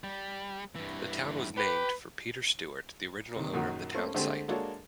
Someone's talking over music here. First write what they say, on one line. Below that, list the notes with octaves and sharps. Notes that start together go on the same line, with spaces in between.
The town was named for Peter Stuart, the original owner of the town site.
G3
G2 E3
G4 B4
C3 D#3
A#1 F#2 D#3 F#3
A3 A#3 C4 C#4 A4
D3 G#3 A3 C4 D4 G4
G#3 A#3 D4 F#4 A4 C#5